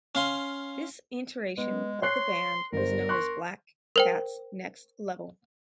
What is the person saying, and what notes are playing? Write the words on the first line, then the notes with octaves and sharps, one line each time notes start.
This iteration of the band was known as Black Cats Next Level.
C#4 F5 C6
G#3 B3
C#5 C6 F#6 C7
G1 A#4 C5
C6 C#6 F#6
A#4 C5 G5